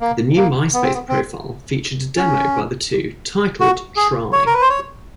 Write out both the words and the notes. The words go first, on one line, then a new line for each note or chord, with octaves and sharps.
The new Myspace profile featured a demo by the two, titled Try.
A#3
A#3
B3
C4
B3
C4
C#4
F#4
G#4
C#5
A#4
B4
C5
C#5